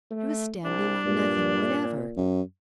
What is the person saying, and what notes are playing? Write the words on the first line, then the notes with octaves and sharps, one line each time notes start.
She was standing on nothing whatever!
A3
C2 D4
G2 A#2
F#2